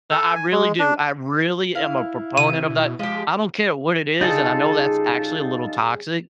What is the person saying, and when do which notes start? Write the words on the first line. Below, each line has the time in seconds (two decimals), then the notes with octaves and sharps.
I I really do, I really am a proponent of that. I don't care what it is, and I know that's actually a little toxic,
0.10 A4
0.35 G#5
0.52 G#3
0.79 D4
1.75 E4 F5
2.37 C3 D#7
2.70 B2
2.99 F3 G#3 G4
4.21 C#3 G3 D#4 F4 G#4 A4